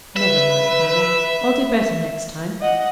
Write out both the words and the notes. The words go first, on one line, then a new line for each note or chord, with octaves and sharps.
'Never mind, Mother; I'll do better next time.'
B4 E5
D#5 F#5